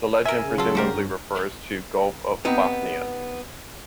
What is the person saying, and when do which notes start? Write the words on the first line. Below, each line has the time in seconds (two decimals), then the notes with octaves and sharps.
The legend presumably refers to Gulf of Bothnia.
0.26 A#4 E5 G#5
0.39 C#3
0.58 F#3 F4 A4
0.75 G3 A3 F#4 G4 A#4 C5 D5
0.93 G2 C#4
2.45 B3 C4 D#4 G4